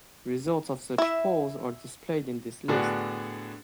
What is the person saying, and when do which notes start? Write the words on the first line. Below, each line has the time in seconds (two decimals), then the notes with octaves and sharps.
Results of such polls are displayed in this list.
0.98 E4 E5
2.68 A2 D3 B3 D4 F#4 G#4